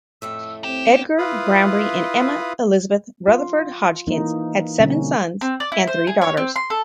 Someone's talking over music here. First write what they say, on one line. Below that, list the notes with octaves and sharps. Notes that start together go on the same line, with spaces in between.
Edgar Grambry and Emma Elizabeth Rutherford Hodgkins had seven sons and three daughters.
F2 A2 A3 E6
C4 G4 E7
E4 F4 B4 F5 B5 D#6
F4
E3 A#3 D#4
B2 D3 G3 A#3 C4 C#4
C4
D5
E4
C5
G#4
C#5
C4
C6
A4